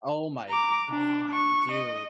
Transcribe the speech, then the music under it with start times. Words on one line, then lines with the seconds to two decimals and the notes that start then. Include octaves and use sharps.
oh, my god, dude.
0.49 A#5 D6
0.90 D4
1.33 C#6
1.72 D#5